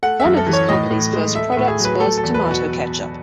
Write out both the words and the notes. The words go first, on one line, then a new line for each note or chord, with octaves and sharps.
One of this company's first products was tomato ketchup.
A3 F#5
E5
F#2
A4
E3
C#5
A2 D#5
A2
G#3
A3 E5
E5
A2
G#4
F#3
B4
A3 A4
A4
E2
B4
B2
F#4